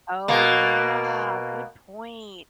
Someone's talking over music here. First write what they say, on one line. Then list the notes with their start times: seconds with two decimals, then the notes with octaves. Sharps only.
Oh, yeah, good point.
0.28 B2 A#3